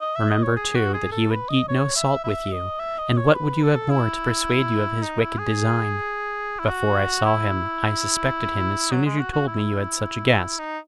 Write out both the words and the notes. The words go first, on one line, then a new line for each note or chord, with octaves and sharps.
Remember, too, that he would eat no salt with you; and what would you have more to persuade you of his wicked design? Before I saw him, I suspected him as soon as you told me you had such a guest.
D#5
E5
D#5
C#5
G#4
F#4
G#4
A4
B4
D#5
C#5
E5
E5
D#5
E5
D#5
C#5
B4
A4
E4
D#4
E4
G#4
E4
F#4
E4
F#3
G#3
F#4
F#4
E4
D#4